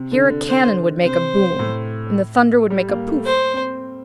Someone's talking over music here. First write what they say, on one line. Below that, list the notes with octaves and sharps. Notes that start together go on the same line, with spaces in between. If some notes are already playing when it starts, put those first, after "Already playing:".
Here a cannon would make a boum, and the thunder would make a pouf.
Already playing: C3
D3
D3
C5
C3 C5
A2
G3
A#3
A3
C5
C4